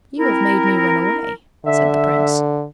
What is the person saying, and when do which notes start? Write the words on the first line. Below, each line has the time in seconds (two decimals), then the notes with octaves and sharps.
'You have made me run away,' said the prince.
0.18 C4 E4 A#4
1.65 D3 E5